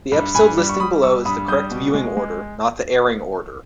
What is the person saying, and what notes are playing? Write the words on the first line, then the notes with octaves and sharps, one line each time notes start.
The episode listing below is the correct viewing order, not the airing order.
G2
G2 G#5 B5
G3
C#6
G3 B5 D#6
G3 C#6 E6
G2 B5 D#6
G3 D#6 G6
B2
G#3
G#3